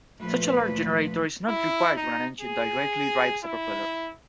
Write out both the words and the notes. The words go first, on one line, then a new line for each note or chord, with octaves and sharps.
Such a large generator is not required when an engine directly drives a propeller.
D2 A#2 F3 A3 B4
E4
D#4
G#4
E4